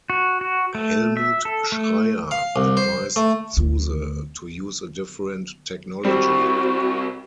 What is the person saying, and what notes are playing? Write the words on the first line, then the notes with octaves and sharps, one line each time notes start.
Helmut Schreyer advised Zuse to use a different technology.
F#4
F#4
A3
E5
A4
A3
F5
C2
C5
A3
D2
C2 G3 C4 F#4